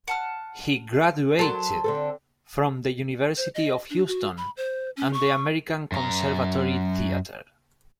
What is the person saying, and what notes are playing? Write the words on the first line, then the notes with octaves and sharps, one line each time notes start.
He graduated from the University of Houston and the American Conservatory Theater.
F#5 A5 F6
F#3 A4 A#4 C5 A5
D3 C4 A4
C5
D#5
D4
F#4
B5
C5
C#4
C#6
F#2 A#5